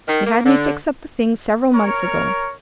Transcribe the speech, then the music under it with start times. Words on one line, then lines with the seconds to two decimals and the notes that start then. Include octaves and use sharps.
She had me fix up the things several months ago.
0.08 D#3
0.27 A#3
0.45 D3
1.73 A#4 C#5